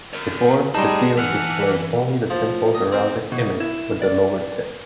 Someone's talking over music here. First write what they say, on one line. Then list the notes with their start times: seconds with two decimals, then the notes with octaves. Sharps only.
Before, the seals displayed only the simple heraldic image with the lowered tip.
0.13 A#4 C#5
0.75 G3 D#4 G#4 A5 C6
1.17 E3 F#5 F6
2.30 F3
2.75 D#5
2.92 C4
3.32 B2
3.60 E4
4.02 D5